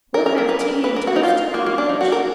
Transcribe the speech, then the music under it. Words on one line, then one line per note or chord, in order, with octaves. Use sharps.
"We'll have tea and toast and codfish."
A#4
A#4
A#4
B4
A#4
B4
A#4
F#4
D#4
F4
A#3
A#3
D4
D#4
F#4
A#4